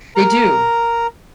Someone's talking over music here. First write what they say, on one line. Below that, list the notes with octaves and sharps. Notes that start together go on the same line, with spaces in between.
They do.
A#4 A#5